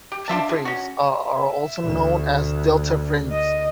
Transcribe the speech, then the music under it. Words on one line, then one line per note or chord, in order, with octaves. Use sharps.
P-frames are also known as "delta-frames".
G4
D4 F4 E5 A5
G#4
C#4 F#4
E5
D2
D#5